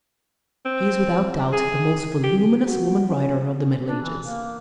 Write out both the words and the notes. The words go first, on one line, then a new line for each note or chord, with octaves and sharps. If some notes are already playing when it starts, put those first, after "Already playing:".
She is without doubt the most voluminous woman writer of the Middle Ages.
C4
G#4
G4
F#4
C#4
D4
E3
A#3